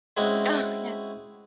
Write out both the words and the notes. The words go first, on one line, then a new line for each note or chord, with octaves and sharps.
Oh, yeah.
G#3 C4 C#4 E4 F#4